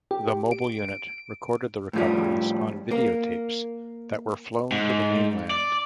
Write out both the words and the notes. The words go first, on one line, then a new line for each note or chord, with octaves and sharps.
The mobile unit recorded the recoveries on videotapes that were flown to the mainland.
G4
D7
A2 F3 G3
A#3
G#2
D5